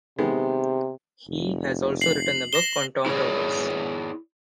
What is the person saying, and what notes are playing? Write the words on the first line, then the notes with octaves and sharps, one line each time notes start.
He has also written a book on Tom Roberts.
C3 D#3 G#3 B3
F1
C7 F#7
A#6 E7 G7
E4 G#4 B4 C#5 D5